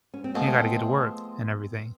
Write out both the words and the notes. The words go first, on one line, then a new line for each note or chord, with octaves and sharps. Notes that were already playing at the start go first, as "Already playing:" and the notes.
you gotta get to work," and everything.
C#4
C4
F3 G#3 A3 B3 C4